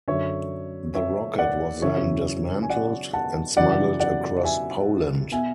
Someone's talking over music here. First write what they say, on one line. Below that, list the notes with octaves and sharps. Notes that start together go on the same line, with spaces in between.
The rocket was then dismantled and smuggled across Poland.
F#2 D3 C#5 E5
C#5 E5
D5 F#5
F#2 C#3 E3 C#5 E5
G#5
D5 F#5
F#5 A5
F#2 C#3 E3 D5 F#5
D5 F#5
E5 G#5
B2 E5 G#5